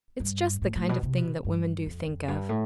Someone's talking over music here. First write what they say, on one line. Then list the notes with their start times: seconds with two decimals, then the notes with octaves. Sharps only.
"It's just the kind of thing that women do think of."
0.20 G2
0.62 A2
0.76 A2
0.89 B2
1.03 C3
1.17 B2
1.44 G2
1.86 F2
2.07 F2
2.28 G2
2.49 A2